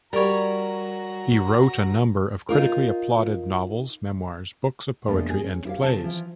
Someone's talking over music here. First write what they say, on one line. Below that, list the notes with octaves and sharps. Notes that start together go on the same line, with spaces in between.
He wrote a number of critically applauded novels, memoirs, books of poetry, and plays.
G3 F#4 A#4 C#5 A#5
D#4 F4 A#4
F2 C3 G#3 A#3 B3 D4
C#4 G#4
C#4
E4 G4 A#4 C#5 F5
C#3 C4 C#4 C5 A5
E3 F3 F4